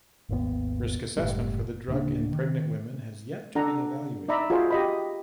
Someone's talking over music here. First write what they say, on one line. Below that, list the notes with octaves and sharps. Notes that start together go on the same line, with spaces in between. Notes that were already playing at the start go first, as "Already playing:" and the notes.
Risk assessment for the drug in pregnant women has yet to be evaluated.
G#1 D#2 D3 B3
F#1 A2 G3
D1 C#3 A#3 D4
D#3
D4 A4 F#5 A#5
D#4 D5 E5 A#5 B5
F4 F#4 G#4 C5 D#5
G4 D#5 B5